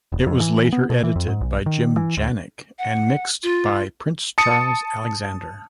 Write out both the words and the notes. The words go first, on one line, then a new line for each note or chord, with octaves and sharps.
It was later edited by Jim Janik and mixed by Prince Charles Alexander.
E1
F2
E3
B3
B2
E3
F2
G#2
B1
D#3
E3
D2
F#5
F4
A5 D#6 C#7